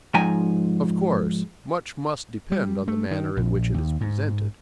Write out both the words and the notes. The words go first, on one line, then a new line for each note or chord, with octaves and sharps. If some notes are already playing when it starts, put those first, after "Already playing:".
Of course much must depend on the manner in which it is presented.
G#2 F3 G5 G#5 A#5
G3
A3
D#3
A#1
D#2
G#2